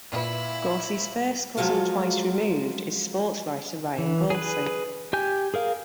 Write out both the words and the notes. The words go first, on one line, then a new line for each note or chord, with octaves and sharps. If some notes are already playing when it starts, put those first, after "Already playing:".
Gorcey's first cousin, twice removed, is sports writer Ryan Gorcey.
A#2 E4 B4
F3 F#3 G#3 F4 A4
E3
G#4 B4
G4 G5 G#5 G6
G#4 A#4 F5